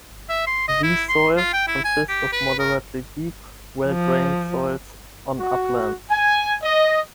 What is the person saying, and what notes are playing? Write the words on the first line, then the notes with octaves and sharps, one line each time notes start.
These soils consist of moderately deep, well drained soils on uplands.
E5
C6
D#5
E4
C6
F4
G5
E4
G#5
G4
B4
A#4
F3
F#4
G#5
D#5